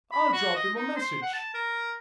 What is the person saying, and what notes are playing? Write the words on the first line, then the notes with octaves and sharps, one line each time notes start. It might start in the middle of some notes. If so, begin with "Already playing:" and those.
"I'll drop him a message!"
B5
F#4
D#5
D#4
C5
F#5
A5
A#4